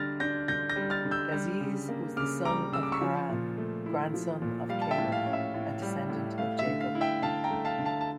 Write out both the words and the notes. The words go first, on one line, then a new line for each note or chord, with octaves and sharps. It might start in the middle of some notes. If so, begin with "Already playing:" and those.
Gazez was the son of Haran, grandson of Caleb, a descendent of Jacob.
Already playing: D3 G3 F6 A6 A#6
D4 G6 A#6
D3 G6 A#6
G6 A#6
G3
F6 A6
D3
E6 G6
G3
C#3
A#3
C#3 D6 F6
G3 A#5 D6
C#3 E6
D6
C#6 E6
F3
A#2
A3
E4
F3
A#2
G3 F5
A5
E5 G5
A2
F5
C#4
E5
A2
G3
A2
A3 F5
E5
D3
F5
E4
E5 G5
D3 F5 A5
G5 A#5
A3
F5 A5
D3
F5 A5
A5